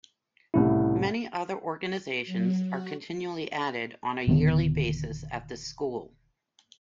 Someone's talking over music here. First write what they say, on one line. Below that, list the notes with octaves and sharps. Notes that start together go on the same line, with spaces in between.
Many other organizations are continually added on a yearly basis at this school.
C2 A2 C#3 E4
F#3
F#4
D#1 D3 D#3 B3